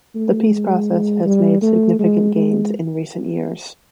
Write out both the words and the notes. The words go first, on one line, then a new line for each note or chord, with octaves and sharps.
The peace process has made significant gains in recent years.
A3
G#3
G3
A3
G#3
G#3